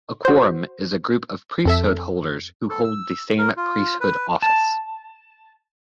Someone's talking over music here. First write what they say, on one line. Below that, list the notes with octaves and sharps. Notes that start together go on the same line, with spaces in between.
A quorum is a group of priesthood holders who hold the same priesthood office.
F#4 C5
F2 A4 E5
A4
E6
A#4
F4
B4
A5